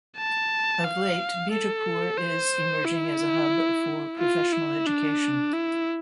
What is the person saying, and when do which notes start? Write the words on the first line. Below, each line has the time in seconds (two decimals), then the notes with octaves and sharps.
Of late Bijapur is emerging as a hub for professional education.
0.18 A5
0.84 F5
1.52 A4
2.18 C5
2.85 E4
4.19 F4
4.53 E4
4.86 D4
5.53 E4